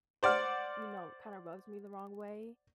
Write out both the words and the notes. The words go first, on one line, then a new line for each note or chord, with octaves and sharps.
you know, kinda rubs me the wrong way.
C5 D5 F#5 F6